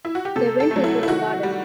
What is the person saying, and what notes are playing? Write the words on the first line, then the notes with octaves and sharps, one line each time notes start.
They went into the garden.
E4
F#4
G4
C3 A4
A4
F#3 A3
E4
E4
D#3 F#4
G3